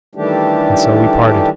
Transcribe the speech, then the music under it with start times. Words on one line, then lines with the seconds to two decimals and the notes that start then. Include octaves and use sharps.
And so we parted.
0.15 D#3 E3 G3 A3 D4 G4